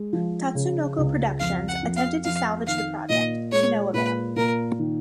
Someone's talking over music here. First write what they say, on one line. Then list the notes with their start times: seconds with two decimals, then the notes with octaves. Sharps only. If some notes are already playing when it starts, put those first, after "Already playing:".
Tatsunoko Productions attempted to salvage the project, to no avail.
Already playing: G#3
0.13 F3
0.55 C#3
0.98 C#2
1.40 F2 F5
1.68 F#5
1.83 F2
1.96 F5
2.25 F2 F5
2.67 D#3 F5
3.09 A#2 D#5
3.52 G#3 C#5
3.94 A#2 B4
4.36 A#2 A#4
4.79 D#3